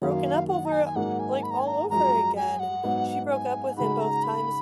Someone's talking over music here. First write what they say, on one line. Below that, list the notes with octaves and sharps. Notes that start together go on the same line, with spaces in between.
broken up over, like, all over again. And she broke up with him both times,
F#2 D#3 F#3 A#3 F5 F#5
F#5
A#5
G#5
G#5
G#2 F#3 A#3 D#4 G#4 F#5
G#5
B5
A#5
G#5
A#5
F#2 F3 G#3 A#5
G#5
F#5
G#2 F#3 B3
G#5
C#3 G#3 D#4 F#4 B5
A#5
B5